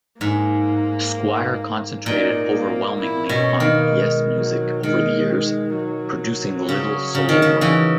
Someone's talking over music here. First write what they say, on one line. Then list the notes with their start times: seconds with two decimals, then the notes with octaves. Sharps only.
Squire concentrated overwhelmingly on Yes' music over the years, producing little solo work.
0.21 G#2 A#3
2.06 A#2 D#4
2.52 A#3
2.98 E4
3.29 B2 C#4
3.60 D#3 A#3
3.91 G#3
4.38 F#3
4.83 D#3 G#3
5.76 F#3
6.69 C#3
7.15 C#3
7.29 D#3
7.42 C#3
7.61 C#3 E3